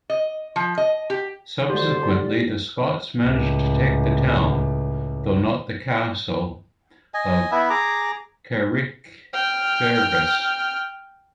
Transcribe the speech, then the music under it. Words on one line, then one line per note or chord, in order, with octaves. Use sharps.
Subsequently, the Scots managed to take the town, though not the castle, of Carrickfergus.
D#5
F3
D#5
G4
D3 G#3 F#4 G4 C5 D5
G4 D5 A5 C6
C#2 A2
D#5 G#5
B3 E4 E5
G#4 A#5 D6
G5 F6